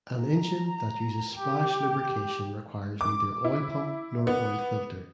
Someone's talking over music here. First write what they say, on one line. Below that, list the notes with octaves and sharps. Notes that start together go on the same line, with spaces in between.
An engine that uses splash lubrication requires neither oil pump nor oil filter.
A#5
G4
D6
E4
B3